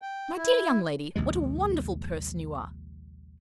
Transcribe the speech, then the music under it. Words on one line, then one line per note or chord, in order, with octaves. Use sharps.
My dear young lady, what a wonderful person you are!
G5
E4
A#1 D#2 C3 G#3